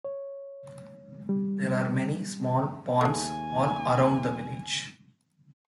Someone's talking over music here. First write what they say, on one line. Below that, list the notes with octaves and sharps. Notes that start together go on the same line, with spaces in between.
There are many small ponds all around the village.
C#5
G3
D#2 G#3 A3 G#5